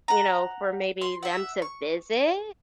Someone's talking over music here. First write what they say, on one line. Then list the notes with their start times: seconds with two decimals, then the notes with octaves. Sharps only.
you know, for maybe them to visit.
0.08 F#5 A#5
1.01 C6
1.23 E5 F#5
1.62 C#6